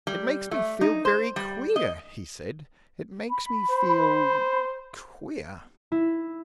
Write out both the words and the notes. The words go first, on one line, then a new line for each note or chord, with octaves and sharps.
"It makes me feel very queer," he said; "it makes me feel--queer!"
G3
A3
D#4
C5
G3
D#5
B5
C5
E4